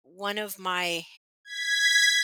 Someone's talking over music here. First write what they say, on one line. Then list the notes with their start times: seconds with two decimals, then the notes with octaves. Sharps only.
one of my
1.45 G#6 B6